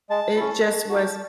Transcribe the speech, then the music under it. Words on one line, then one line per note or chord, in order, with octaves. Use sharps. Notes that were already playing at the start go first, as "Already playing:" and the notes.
it just was
G#3 A5
C#4 E4
G#3
D#4 F#4